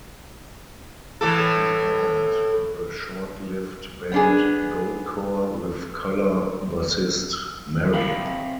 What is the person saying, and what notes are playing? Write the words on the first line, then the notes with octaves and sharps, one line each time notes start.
He formed the short-lived band Goatcore with Color bassist Marry.
A2 E3 A4
B3 D4 G#4
C3 E5 F5 G5 B5